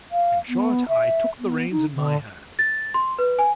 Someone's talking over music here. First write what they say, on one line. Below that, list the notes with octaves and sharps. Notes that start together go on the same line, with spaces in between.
In short, I took the reins in my hand.
F5
B3
E5
B3
D#4
D3
A6
C6
B4
G#5